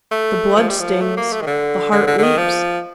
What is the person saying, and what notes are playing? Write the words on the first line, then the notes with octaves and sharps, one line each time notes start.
The blood stings. The heart leaps.
A3
F3
G3
F3
A3
A#3
A3
D#3
D3
D3
D3
D3
D#3
F3